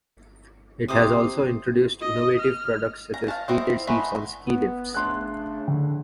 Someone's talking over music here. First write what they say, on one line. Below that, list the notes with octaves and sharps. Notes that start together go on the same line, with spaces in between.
It has also introduced innovative products such as heated seats on ski lifts.
C3 C5 D6 D#6
D#5
F6
A#5
F5 A5
C4 E4 D#5
G#3 A3 B3 E5 B5
B3
C#3 A3 D4 C6 F#6
D3